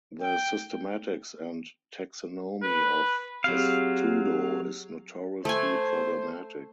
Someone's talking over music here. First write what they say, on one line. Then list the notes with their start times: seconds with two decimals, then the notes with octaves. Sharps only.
The systematics and taxonomy of "Testudo" is notoriously problematic.
0.22 G5
2.63 B4
3.44 F#3 C4 G4 G#4 F5
5.45 A3 C5 G#5